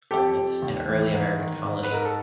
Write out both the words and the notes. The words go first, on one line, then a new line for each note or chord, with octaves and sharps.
Um, it's an early American colony,
F2 G4 A4
F2
D#2
E3
G#2
D#3
G#2
B4
G#2 A#4
A4